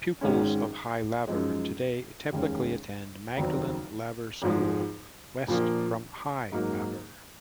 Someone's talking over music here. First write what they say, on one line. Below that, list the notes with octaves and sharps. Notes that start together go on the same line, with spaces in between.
Pupils of High Laver today typically attend Magdalen Laver school, west from High Laver.
G#1 G#2 D#3 G#3 C#4
F#2 F3 G#3 D#4
F1 D#2 D#3 G#3 C#4
F1 D#2 D#3 F#3 C4
G#1 G#2 F3 G#3
A#1 A#2 F3 A#3
G#2 F#3 A#3 D#4